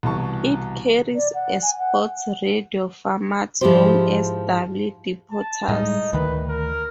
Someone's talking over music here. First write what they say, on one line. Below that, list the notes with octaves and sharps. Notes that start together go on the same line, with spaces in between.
It carries a sports radio format known as W Deportes.
C2 B2 E3 A5 C#6
D5
F#5
G#5
F#5
G#2 F3 E4 G4 G#4 C5
A5
A2 G3 G#3 D#4
D2 D#3 B4
A#4